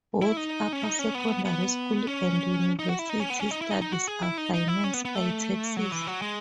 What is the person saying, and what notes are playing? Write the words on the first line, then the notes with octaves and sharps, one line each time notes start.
Both upper secondary school and university studies are financed by taxes.
E4
D#4
C#4
D#4
C#4
B3
B3
C#4
D#4
F#4
E4
D#4
C#4
B3
C#4
D#4
E4
D#4
D#4
F#4
G#4
E4
D#4
D#4
E4
C#4
B3
B3
A3
F#3
E3
F#3
G#3